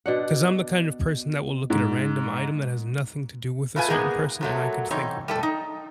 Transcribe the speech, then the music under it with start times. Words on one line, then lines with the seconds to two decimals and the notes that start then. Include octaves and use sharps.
'cause I'm the kind of person that will look at a random item that has nothing to do with a certain person, and I could think of them.
0.06 B2 D4 F#5
1.70 G#2
3.76 A2 A3 F4 B4 G#5
3.88 G#3 A#3 B3 D#4 G#4
4.41 A#2 F#3 A3
4.91 E2 C3 D#4 C#5
5.28 G3 A3 A4
5.43 D#4